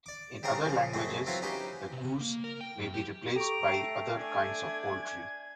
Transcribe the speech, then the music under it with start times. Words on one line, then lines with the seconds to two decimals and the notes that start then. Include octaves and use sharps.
In other languages, the "goose" may be replaced by other kinds of poultry.
0.06 D5 D6
0.43 C#3 G3 C4 A#4 A#5 C#6
0.65 C#3 F3
0.93 F#2 G#3 A3 C4
1.26 F#3 C4 E4 F4 B4 C5
1.42 C#4 D#4 G4 B4 C5 G5
1.93 C3
2.04 C#3
2.21 A#3
2.44 A#4
2.61 G5
2.80 F#2
2.94 G4
3.36 G4 A4 A#5 C#6 D7
3.68 A3 G5 C7
4.15 D4 G#5 G#6